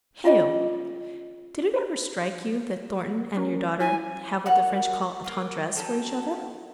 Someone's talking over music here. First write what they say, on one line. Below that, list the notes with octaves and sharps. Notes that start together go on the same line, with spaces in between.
'Hale! did it ever strike you that Thornton and your daughter have what the French call a tendresse for each other?'
C#4 F4 G#4 D#5
C#4 A#4
E4 G#5
F#4 A#4 C#5 F#5
A#3 F4
F#3 C#4 G4 A4